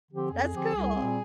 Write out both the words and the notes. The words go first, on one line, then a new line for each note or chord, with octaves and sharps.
That's cool.
D3 F3 C4 G4
F2 G#4
D3 F3 C4 G4
C2
A#2 G3 C4